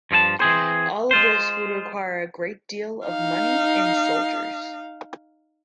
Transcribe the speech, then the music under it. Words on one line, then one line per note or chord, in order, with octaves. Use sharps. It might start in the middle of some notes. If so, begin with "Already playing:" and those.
All of this would require a great deal of money and soldiers.
G2 F3 A4 A5
E3 C4 G#4 C5
G#3 F4 C5
D#4 F5